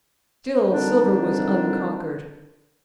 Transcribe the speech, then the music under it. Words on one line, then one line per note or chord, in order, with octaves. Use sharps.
Still Silver was unconquered.
D3 D#3 G3 C4 D4 D#4